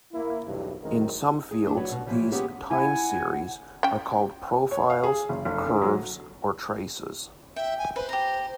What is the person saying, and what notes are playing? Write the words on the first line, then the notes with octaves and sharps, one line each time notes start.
In some fields these "time series" are called profiles, curves, or traces.
A#3 E4
B1 E2 G2 C3
F#2 D#3 G#3 C4 A#4
G#4
A3 D4
F#3 F#4 B4 C#5 D5
B2 G3
A2 E3 F3 G3
G#3 A#3 B3 C#4 G4 G#4
E4 F#5 G#5
C#4 G5
C#5
F5
G#4
F#1
F1
D2
F#3
E5 G5
G#5
B4 C5
G4 A#5